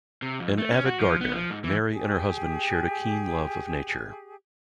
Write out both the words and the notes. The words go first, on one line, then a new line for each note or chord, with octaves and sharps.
An avid gardener, Mary and her husband shared a keen love of nature.
C3
F2
A3
C#4
F#4
F3
B3
F3
G#2
E3
G4 G#4